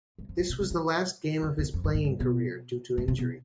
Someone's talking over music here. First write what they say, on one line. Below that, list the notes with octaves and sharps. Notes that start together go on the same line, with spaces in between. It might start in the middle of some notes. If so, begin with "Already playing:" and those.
This was the last game of his playing career due to injury.
G2
F2
A2
B2
C3
E3
F2
E2
F2
G2
A2
G2
B2
A2
C3
B2